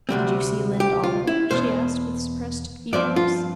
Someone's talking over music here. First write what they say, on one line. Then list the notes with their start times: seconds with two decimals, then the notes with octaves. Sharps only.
"Did you see Lynde Oliver?" she asked with suppressed eagerness.
0.09 D2 C3 G3 C4
0.80 G4
1.04 F4
1.27 E4
1.51 E2 B2 B3 C5
2.93 G2 F3 C4 D5
3.16 F4